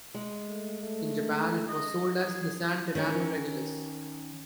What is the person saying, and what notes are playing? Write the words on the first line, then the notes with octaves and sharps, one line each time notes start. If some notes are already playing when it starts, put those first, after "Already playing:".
In Japan it was sold as the Nissan Terrano Regulus.
G#3
A3
A3
E4 D#5
G#4
D#3 C#4 A#4